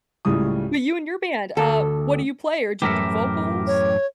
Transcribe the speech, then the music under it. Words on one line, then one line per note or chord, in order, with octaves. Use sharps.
But you and your band, uh, what do you play, or do you do vocals?
C#2 A2 C#3 G3 D#6
D2 A4
F#2 A2 E3 G4 A#4 E5
C#5